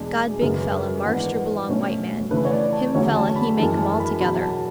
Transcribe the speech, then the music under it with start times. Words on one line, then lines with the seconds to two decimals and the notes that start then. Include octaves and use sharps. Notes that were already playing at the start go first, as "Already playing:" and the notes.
God big fella marster belong white man, him fella He make ’m altogether.
Already playing: E2 B2 G#3 D4
0.42 F#2 C#3 G#3 B3
1.05 G#2 E3 B3 D4 F#5
1.69 B2 A3 C#4
2.31 C#3 E3 A3 B4
2.45 C#5
2.52 D5
2.73 A5
2.94 E2 D3 F#3 A3 C#4 C#5
3.16 A5
3.36 B5
3.57 F#2 E3 G#3 A5
3.78 A5
4.00 B5
4.20 E2 B2 F#3 B5
4.42 A5